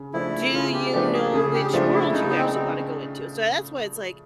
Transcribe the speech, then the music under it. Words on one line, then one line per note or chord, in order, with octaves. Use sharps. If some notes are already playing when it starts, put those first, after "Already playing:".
do you know which world you actually wanna go into, so that's why it's like,
Already playing: C#3
F3 A3 D4 E4
C#3 F4
G4
F3 A3 D4 G4
G#4
C#3 G#4
G4
F3 A3 D4 F4
E4
C#3 D#4
A#3
B3
C4